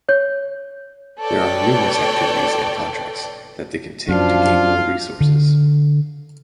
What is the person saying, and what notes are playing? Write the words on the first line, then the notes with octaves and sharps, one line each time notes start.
There are numerous activities and contracts that they can take to gain more resources.
C#5 G6
A4 B4 C#5 D5 G5
F#2 F3 D4 F4 F5
D3